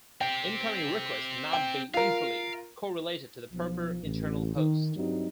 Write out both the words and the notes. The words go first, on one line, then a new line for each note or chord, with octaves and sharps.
Incoming requests cannot be easily correlated to the proper internal host.
C4 G4 G5
G5
F4 A#4 F5
B1 F3
A1
D#3
G2 F#3 G3 C4 D#4